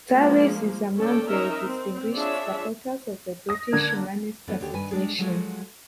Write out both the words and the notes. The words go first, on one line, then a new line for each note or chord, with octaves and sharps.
Tallis is among the Distinguished Supporters of the British Humanist Association.
F3 G#3 A#3
C#4 A4 D5 G5
C#4 D#4 A#4 D#5 E5 A#5
C4
D4 F4 G#4 C#5 E5
D#6 A#6
D3 A#3 G#6
E3 F#3 A3 B3 D4 F4
D#2 D3 F#4 G4
G2 D#3 B4 G#5
G3 G#3 D4 G#4
F3 F#3 G#3 A3 F4 F#4